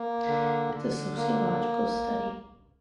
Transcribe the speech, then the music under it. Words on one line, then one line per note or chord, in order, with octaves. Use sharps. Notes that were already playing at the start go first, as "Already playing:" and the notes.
It's a sociological study.
Already playing: A#3
D3
D3
A#3